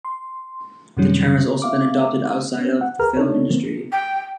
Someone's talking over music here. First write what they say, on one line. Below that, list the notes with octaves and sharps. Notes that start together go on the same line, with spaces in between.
The term has also been adopted outside of the film industry.
C6
F#2 C3 D#3 F#3 G3 C#4
E5 F5 D6
C#4
F#5
D2 G#4 A#4 B4 A#5 F6
D4 D#4 A4 C#5
D3 D#3 F3 F#3 A#3 C4
G5